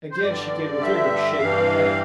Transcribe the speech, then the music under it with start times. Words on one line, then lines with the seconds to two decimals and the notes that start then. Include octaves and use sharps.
Again she gave a vigorous shake of the head.
0.11 C5
0.22 G2 D3 D5
0.81 E5
1.39 G2 E3 F5